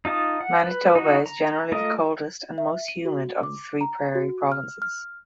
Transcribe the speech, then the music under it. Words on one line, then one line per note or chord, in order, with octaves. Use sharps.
Manitoba is generally the coldest and most humid of the three prairie provinces.
D#4 F4 A5 D#6
F#5
B4
D#4 F#4
A#5
A3 F4 A#4 D#5
E5
D#7
F#4
D6
A#5
F#4
F6
F6